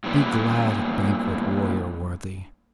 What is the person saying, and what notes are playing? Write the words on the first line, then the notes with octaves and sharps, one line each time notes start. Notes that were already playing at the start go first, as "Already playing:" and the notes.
Be glad at banquet, warrior worthy!
G2 A#2 E3 B3